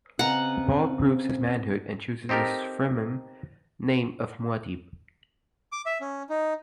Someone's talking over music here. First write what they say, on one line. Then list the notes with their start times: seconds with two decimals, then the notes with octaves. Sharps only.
Paul proves his manhood and chooses his Fremen name of Muad'Dib.
0.19 C#3 B3 C4 D#5 F#5 A#5
2.29 C4 D#4 G4 A4 A#4
5.72 D6
5.86 E5
6.01 C#4
6.29 D#4